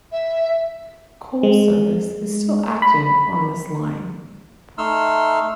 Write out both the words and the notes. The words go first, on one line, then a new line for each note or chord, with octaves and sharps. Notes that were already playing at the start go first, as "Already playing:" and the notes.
Coal service is still active on this line.
E5
G#3
B5
A3 D#4 C6 E6 F6